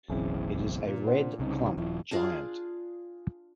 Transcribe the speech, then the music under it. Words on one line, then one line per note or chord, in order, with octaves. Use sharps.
It is a red clump giant.
F#1 B1 C#3 E3 C4
A#2
D4 C5 F#5
C2 C#3 C4 D#4
D#1 F3 E4
D4 F4 G#4